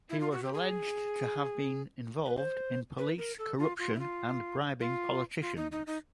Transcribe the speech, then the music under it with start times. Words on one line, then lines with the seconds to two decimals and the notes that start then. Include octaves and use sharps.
He was alleged to have been involved in police corruption and bribing politicians.
0.10 E4
0.20 F4
0.32 F#4
0.43 G4
0.54 G#4
2.25 B4
2.37 C5
2.98 B4
3.18 A#4
3.39 A4
3.59 F4
3.79 F4
3.95 E4
3.99 F4
4.80 F4
5.42 F4
5.56 D#4
5.72 D#4
5.87 D#4